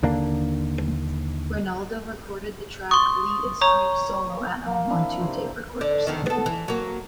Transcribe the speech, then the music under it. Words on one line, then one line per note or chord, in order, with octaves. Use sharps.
Ranaldo recorded the track "Lee Is Free" solo at home on two tape recorders.
D#2 D3 A#3 D4
C6 C#6 D#6
C#5 A#5 C#6
A#3
C4 D4 E4
C3 C5
D3 D5
E2 D3 D#3
B3 A4
E3
F#3 A#3